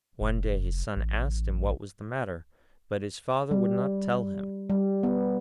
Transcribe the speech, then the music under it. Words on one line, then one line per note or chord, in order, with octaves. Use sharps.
One day his son asked him what was the matter, but his father would not tell him.
F1
A1
G3
G3
B3